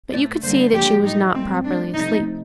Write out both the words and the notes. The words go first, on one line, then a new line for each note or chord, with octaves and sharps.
But you could see that she was not properly asleep....
A2 A3 D5
D3 G3 A#3 C5
D3 F3 A#3 G4
A2 A3 D#4
A2 G3 A#3 C4
A2 A3 D4
C3 F3 A3 D#4